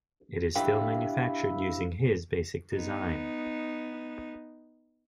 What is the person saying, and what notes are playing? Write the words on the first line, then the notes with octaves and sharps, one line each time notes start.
It is still manufactured using his basic design.
D4 E4 G4 B4 F5 G5
B3 D#4